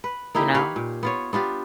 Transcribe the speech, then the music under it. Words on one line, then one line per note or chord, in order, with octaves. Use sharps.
you know?
B4
A#3 D#4 E4 G4
G4 B4 C#5 F5
A#2
B3 F4 C#5
B3 D4 F4 G4